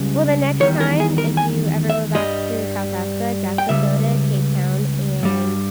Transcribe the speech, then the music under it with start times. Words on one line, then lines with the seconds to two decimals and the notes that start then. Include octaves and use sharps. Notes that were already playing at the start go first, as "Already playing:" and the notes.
Well, the next time, if you ever go back to South Africa, definitely go to Cape Town, and
Already playing: C#2 C#3 G3
0.61 E2 D#3 G3 C#5
0.80 A#4
1.00 G#4
1.18 A#4
1.37 G#5
1.90 E5
2.15 G2 G3 D#5
3.58 G5
3.69 C#2 C#3 G3 E5
5.23 G2 G3